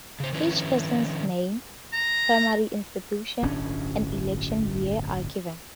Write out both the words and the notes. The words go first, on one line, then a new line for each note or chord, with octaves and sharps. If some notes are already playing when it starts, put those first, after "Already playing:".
Each person's name, primary institution, and election year are given.
C#3 C5
D#3 F3 C#4 E4 B4
A#5
D1 G1 C#4 D4